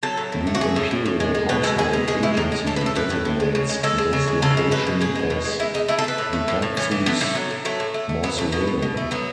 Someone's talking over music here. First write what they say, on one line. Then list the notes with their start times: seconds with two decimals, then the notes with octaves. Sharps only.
The Imperial Household Agency designates this location as Bidatsu's mausoleum.
0.03 F#3 A4
0.17 A2
0.32 A2
0.47 A3
0.55 F#4
0.61 A3 G#4
0.76 A2
0.91 A2
1.06 A2
1.20 G#3
1.35 G#3
1.49 B2 B4
1.63 G#3 A4
1.78 G#3 G#4
1.93 B2
2.08 G#3 G#4
2.23 B2 E4
2.37 A2 D#4
2.52 G#3
2.67 A2 A4
2.76 B4
2.81 A2
2.86 A4
2.96 A2 B4
3.10 A2
3.25 A2
3.40 G#3
3.55 C#3
3.69 G#3
3.83 G#3 A4
3.98 G#3
4.13 C#3
4.28 G#3
4.42 C#3 A4
4.57 G#3
4.71 G#3 B4
4.87 B2
5.01 B2 G#4
5.15 G#3
5.30 B2
5.45 G#3
5.60 G#3 E4
5.74 G#3 D#4
5.88 A3 E4
5.99 A4
6.04 A3 B4
6.18 A2
6.33 A3
6.48 A2
6.62 A2
6.77 E3 C#4
6.91 E3
7.06 A3 B3
7.21 A2 A3
7.35 F#3
7.51 A2
7.65 F#3 A3
7.80 A2
7.94 A3
8.09 A3
8.23 F#3 B3
8.38 B2 A3
8.52 B2 B3
8.67 B2
8.82 B2
8.97 A3
9.11 F#3 B3